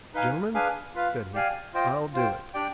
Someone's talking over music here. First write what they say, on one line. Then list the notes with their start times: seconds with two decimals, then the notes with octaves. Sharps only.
"Gentlemen," said he, "I'll do it!"
0.14 D#4 B4 F5 G#5
0.54 D4 G#4 B4 F5 G#5
0.95 F4 B4 F5
1.34 G4 D5 F5 G#5
1.74 F4 C5 D#5 G5
2.14 F4 C5 G5
2.54 D4 G4 D5 G5